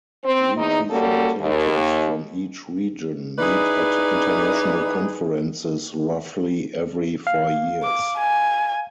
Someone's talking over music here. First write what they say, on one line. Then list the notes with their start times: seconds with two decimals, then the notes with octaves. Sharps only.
Representatives from each region meet at International Conferences roughly every four years.
0.25 C4
0.57 E2 D#4
0.90 G3 A#3 C#4 F#4 A4
1.41 D#2
3.38 D#4 E4 G#4 B4 D5
7.27 F5
7.83 D6
8.18 G#5